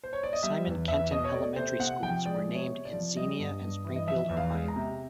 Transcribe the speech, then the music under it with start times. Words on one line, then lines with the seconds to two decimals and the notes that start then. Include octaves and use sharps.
Simon Kenton Elementary Schools were named in Xenia and Springfield, Ohio.
0.04 C5
0.13 C#5
0.23 D5
0.33 D#5
0.43 G3 E5
0.66 E2
0.88 E2 E5
1.11 B2 D#5
1.24 C#5
1.34 A3 D5
1.56 C3 C5
1.80 C3 F#5
2.03 F3 G5
2.25 G#3 D5
2.48 C3
2.55 C#5
2.71 C3
2.85 D5
2.93 F3
3.16 G3 D#5
3.39 G2
3.61 G2
3.85 E3
3.96 D#5
4.07 F3 E5
4.29 E2
4.37 F5
4.52 G#3
4.68 A#5
4.76 C3